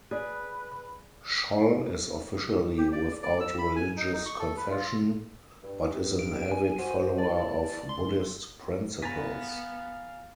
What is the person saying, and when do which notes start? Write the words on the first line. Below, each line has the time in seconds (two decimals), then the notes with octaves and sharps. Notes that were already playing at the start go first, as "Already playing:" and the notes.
Scholl is officially without religious confession, but is an avid follower of Buddhist principles.
0.11 G#4 B4 D5
2.78 G4
2.93 D5
3.23 D5
3.40 E6
3.58 B5
3.76 G#5
3.96 D#4
4.14 D#4
4.26 C#6
4.39 A4
4.57 B4
4.71 F4
5.63 G2
6.19 D7
6.52 G#5
6.78 F#4 C5
7.18 E2 D5 A5
7.89 C6
9.02 B3 F5 G#5 A#5 A6 B6